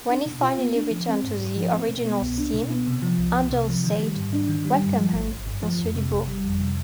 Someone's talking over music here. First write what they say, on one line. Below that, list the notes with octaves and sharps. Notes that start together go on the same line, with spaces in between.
When he finally returned to the original theme, Handel said: "Welcome home, Monsieur Dubourg".
D4
B2
F4
B3
D4
F3
C4
G#2
G#2
F3
C4
B2
B3
C2
D4
B2
B3
C3
F3
C2
C2
C3
F3
D#3
G3
G#2
D4
D#3
G3
G2
F3
G#1
G#1
G2
F3
F2
C3
G1
G3
F2
C3